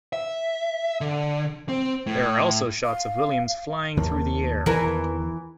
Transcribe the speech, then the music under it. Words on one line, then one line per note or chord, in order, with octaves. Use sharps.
There are also shots of Williams flying through the air.
E5
D3
C4
A2
F5
D#2 D#3 A#3 A5
E2 D#3 E3 A#4